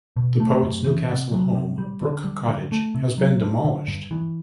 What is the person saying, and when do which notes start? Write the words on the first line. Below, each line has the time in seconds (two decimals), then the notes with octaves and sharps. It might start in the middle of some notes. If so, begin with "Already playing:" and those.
The poet's Newcastle home, Brook Cottage, has been demolished.
0.16 B2
0.40 A3
0.62 F#2
0.85 E3
1.09 C3
1.32 F#3
1.55 C3
1.78 G3
2.01 D3
2.24 G3
2.48 D3
2.72 A3
2.95 C3
3.18 F#3
3.41 G2
3.64 D3
3.88 G2
4.11 E3